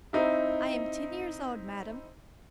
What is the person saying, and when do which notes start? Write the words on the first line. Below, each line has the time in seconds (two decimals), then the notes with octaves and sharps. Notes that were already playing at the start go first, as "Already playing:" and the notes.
"I am ten years old, madame."
0.13 C4 D#4 E4